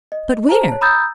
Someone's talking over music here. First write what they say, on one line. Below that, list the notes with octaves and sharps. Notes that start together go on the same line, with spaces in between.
"But where?"
D#5
G#4 C5 A5 A#5
C#5 A5
A#5 B5 D#6 E6 G6 A6